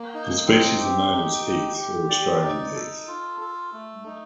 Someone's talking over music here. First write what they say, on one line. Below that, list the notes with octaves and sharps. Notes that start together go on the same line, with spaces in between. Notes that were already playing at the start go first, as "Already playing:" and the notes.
The species are known as heaths or Australian heaths.
Already playing: A#3
D#4
C4
G4
D#4
G4
G4
D5
D#4
A4
F4
A4
A3
D#4